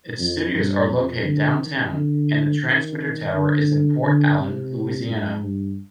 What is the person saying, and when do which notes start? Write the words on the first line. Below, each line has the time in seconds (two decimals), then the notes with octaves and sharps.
Its studios are located downtown and the transmitter tower is in Port Allen, Louisiana.
0.19 F2
0.54 G2
0.88 F2
1.24 D3
1.59 D#3
1.94 D3
2.64 D#3
3.33 D3
4.03 D3
4.39 C3
5.09 G#2
5.43 G2